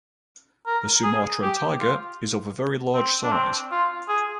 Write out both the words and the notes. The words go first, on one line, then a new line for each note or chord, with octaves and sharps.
The Sumatran tiger is of a very large size.
A#4
G#4
G4
F4
C4
D4
C4
F4
G#4